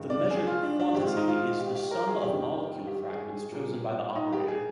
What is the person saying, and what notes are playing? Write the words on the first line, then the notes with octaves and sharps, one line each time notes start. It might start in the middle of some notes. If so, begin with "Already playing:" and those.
The measured quantity is the sum of molecule fragments chosen by the operator.
Already playing: G2 D#3 G#3
D5
G#4
F4
D4
D4
G#2 D#3 G#3 C4 G4
F4
D#4
F4
G4
G4
A#4
G#4
F2 D#3 G3 G4
G4
G#4
G#4
A#2 G3 A#3
D#4
G4
G#4